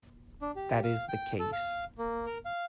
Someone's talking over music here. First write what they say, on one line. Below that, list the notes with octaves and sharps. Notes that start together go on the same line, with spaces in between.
That is the case.
D4
G4
F5
G5
A4
F5
A#3
A#4
F5